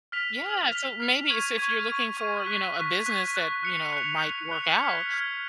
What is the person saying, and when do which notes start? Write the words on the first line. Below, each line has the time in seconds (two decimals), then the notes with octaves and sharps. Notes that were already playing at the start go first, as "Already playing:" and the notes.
Yeah, so maybe so if you're looking for, you know, a business that, you know, might work out,
0.12 F6 B6 F7
0.42 F6 B6 F7
0.71 F6 B6 F7
1.00 F6 B6 F7
1.29 C#6 G#6 D#7
1.58 C#6 G#6 D#7
1.88 C#6 G#6 D#7
2.17 C#6 G#6 D#7
2.46 C#6 F#6 B6
2.76 C#6 F#6 B6
3.05 C#6 F#6 B6
3.34 C#6 F#6 B6
3.63 F#6 C#7 F7
3.93 F#6 C#7 F7
4.22 F#6 C#7 F7
4.51 F#6 C#7 F7
4.80 F6 G#6 B6
5.09 F6 G#6 B6